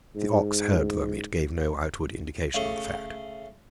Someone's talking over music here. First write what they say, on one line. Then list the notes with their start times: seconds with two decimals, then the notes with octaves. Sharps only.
If the ox heard them it gave no outward indication of the fact.
0.16 G#2
2.54 C#3 A3